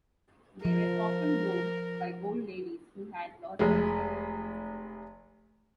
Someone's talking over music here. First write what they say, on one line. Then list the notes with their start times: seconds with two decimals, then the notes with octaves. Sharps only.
They were often worn by old ladies who had lost their hair.
0.65 F3 A#4
3.59 F1 G#3